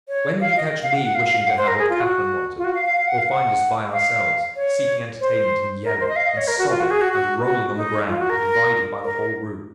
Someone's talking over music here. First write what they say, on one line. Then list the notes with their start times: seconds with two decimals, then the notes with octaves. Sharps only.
When would you catch me wishing to have what Catherine wanted? or find us by ourselves, seeking entertainment in yelling, and sobbing, and rolling on the ground, divided by the whole room?
0.09 C#5
0.41 F5
0.57 D#5
0.82 F5
0.94 F#5
1.04 F#5
1.15 F5
1.25 F5
1.36 F5
1.47 F#5
1.58 C5
1.68 A#4
1.79 G#4
1.89 F4
2.00 F#4
2.58 F4
2.64 F#4
2.75 F5
2.85 F5
2.97 F5
3.07 F#5
3.18 F5
3.28 F#5
3.93 F5
4.56 C#5
5.21 C5
5.84 A#4
6.00 C5
6.08 D#5
6.16 F5
6.27 D#5
6.37 C#5
6.48 A#4
6.59 F#4
6.70 F4
6.80 F#4
6.91 G#4
7.01 F#4
7.12 F#4
7.44 F#4
7.76 D#4
8.08 F4
8.19 F#4
8.30 A#4
9.04 A#4